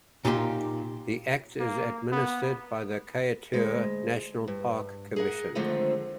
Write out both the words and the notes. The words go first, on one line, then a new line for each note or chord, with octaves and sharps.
The Act is administered by the Kaieteur National Park Commission.
A#2 D#4 F4 G4 C6
A#3
B3
D2 G#3
G2
G#4 A#4 F#5
D3 D#3 F3 G#3 A3 C4